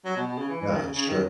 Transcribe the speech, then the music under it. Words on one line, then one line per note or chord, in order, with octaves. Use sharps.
Yeah, it's true.
F#3
B2
B2
C#3
E3
E3
D#3
C#3
C#3
D#3